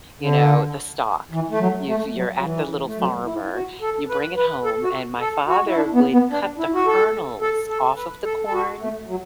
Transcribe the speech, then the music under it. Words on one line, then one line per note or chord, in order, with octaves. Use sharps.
you know, the stalk. You've you're at The Little Farmer, you bring it home, and my father would cut the kernels off of the corn,
D3
E3
A3
F#3
A3
F#3
F#3
E3
A3
F#3
E4
F#4
A4
B4
B4
A4
F#4
A4
F#4
E4
D4
B3
B3
D4
E4
F#4
A4
A4
A4
B4
A4
A4
F#4
A3
F#3